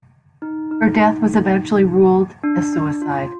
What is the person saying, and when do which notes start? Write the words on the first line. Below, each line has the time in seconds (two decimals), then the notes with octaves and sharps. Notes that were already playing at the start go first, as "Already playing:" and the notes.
Her death was eventually ruled a suicide.
0.42 D#4
0.71 D#4
2.44 D4
2.73 D4
3.02 F4